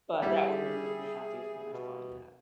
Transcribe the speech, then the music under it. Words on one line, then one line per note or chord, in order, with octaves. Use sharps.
but that would really make me happy if when I find that.
G3 E4 G#4
B2